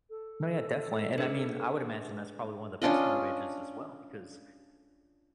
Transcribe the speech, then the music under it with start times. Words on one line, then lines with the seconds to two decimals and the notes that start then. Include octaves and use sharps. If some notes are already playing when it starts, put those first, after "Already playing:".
No, yeah, definitely, and I mean, I would imagine that's probably one of the best motivators as well, because,
0.10 A4
1.18 D4 G#4 B4
2.82 C#4 D4 F4 D#5